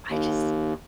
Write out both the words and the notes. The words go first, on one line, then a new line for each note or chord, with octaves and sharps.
I just
D#2